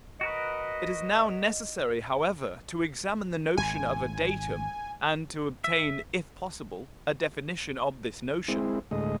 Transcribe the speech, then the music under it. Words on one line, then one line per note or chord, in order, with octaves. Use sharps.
It is now necessary, however, to examine the notion of a "datum," and to obtain, if possible, a definition of this notion.
F#4 A#4 B4 D#5
G#1 G#5
E5
G#3 C4 E4
D2 A2 G#3 D#5